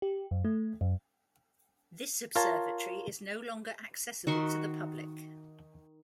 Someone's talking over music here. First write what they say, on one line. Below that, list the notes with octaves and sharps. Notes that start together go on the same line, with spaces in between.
This observatory is no longer accessible to the public.
G4
F#2
A3
F#2
F4 A#4 C#5 F5 A5
D#3 F#4 E5 C6